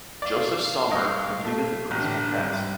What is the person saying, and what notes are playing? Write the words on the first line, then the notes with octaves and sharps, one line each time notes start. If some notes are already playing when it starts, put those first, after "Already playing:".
Josef Sommer completed the principal cast.
D5 F5
C2 D#5
A3
A1 A2 D3 D4 F6
G#2 C3 G3